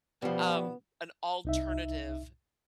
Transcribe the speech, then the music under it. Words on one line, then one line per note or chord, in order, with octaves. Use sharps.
um, an alternative
B2 F3 G3 B3
C2 D#4 E5